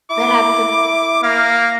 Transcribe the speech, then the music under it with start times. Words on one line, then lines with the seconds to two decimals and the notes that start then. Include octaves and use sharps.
but at the
0.10 E4 D6
1.23 A#3 F5